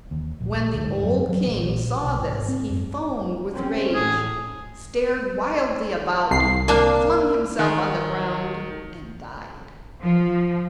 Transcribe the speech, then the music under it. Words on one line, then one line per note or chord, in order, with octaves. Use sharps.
When the old king saw this he foamed with rage, stared wildly about, flung himself on the ground and died.
D#2
A#1
D2
G#2
F#2
F#3
A1
A#1
B1
G#1
C4
F#2
C4 C#4
A2 G#4
C2 C7
A#3 D4
D#3
F3